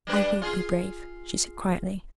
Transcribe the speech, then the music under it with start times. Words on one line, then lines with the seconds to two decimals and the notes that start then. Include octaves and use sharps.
"I will be brave," she said quietly.
0.07 G3 D4 B4
0.42 F4 G#4